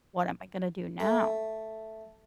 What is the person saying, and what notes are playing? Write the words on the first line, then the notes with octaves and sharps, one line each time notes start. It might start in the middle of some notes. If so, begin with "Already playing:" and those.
"What am I gonna do now?"
A3